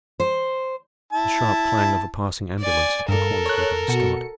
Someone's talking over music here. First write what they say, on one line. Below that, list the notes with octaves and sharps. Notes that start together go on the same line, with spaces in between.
The sharp clang of a passing ambulance at the corner gave him a start.
C5
E4 A5
D5 G#5
G2 A4 A#4
C#5 F#6
B2 F#4 C#7